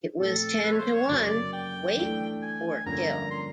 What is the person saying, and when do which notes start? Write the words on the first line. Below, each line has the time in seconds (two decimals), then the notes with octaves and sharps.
It was ten to one — wake or kill.
0.19 A#2 F3 A3 C4 A4
0.63 B4
0.73 C#5
0.78 C5
0.94 C#5
1.08 F#2 C#3 F#3 A#3 D5
1.53 G5
1.97 E3 A3 D4
2.42 G#5
2.86 G2 D3 F3 A#3 C#4 A#5
3.31 C6